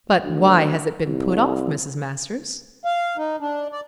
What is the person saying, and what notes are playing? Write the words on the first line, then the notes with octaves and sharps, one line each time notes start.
"But why has it been put off, Mrs. Masters?"
D2
C2
F5
D#4
D4
D5